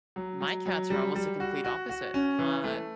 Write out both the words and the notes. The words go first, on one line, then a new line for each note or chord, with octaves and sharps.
my cats are almost the complete opposite, uh,
F#3
F#3
F#3
G3
G3
F#4
F#4
F#4
C#4
E3
A3